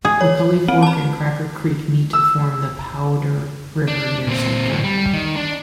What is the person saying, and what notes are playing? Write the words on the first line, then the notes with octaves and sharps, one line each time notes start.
McCully Fork and Cracker Creek meet to form the Powder River near Sumpter.
G#4
C#5
C4
A5 B5
E6
D4
A#2 C4
D2 A2
G3
D#3
D4